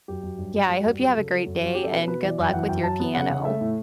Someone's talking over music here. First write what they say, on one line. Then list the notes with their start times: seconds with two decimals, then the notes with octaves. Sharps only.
Yeah, I hope you have a great day, and good luck with your piano.
0.08 F#2 G4
0.23 F#2
0.38 G2
0.55 G3
0.69 G3 F#4
0.85 G2
1.00 F#3 G4
1.15 C#3 A4
1.30 F#3
1.46 F#2
1.61 F#3 F#4
1.75 C#4 G4
1.83 A4
1.92 B2 B4
2.07 B2 B4
2.22 E3 D5
2.39 F#2
2.49 G5
2.53 E3 F#5
2.69 F#2 G5
2.84 F#3 A5
3.00 B3
3.15 C#3 F#5
3.30 C#3
3.45 A3 E5
3.61 A2